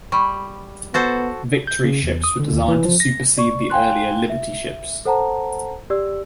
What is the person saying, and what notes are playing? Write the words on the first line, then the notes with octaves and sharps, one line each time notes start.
Victory ships were designed to supersede the earlier Liberty ships.
G3 B5 C#6
B3 F#4 A4 C5
G6
C#3
E2
D#6
D3
D#2
E3
F3
A#6
D5 C#6
F5 G5 G#5 C6 F#6
E5
A4 C5 F#5 A5 A#5
G4 D5 E6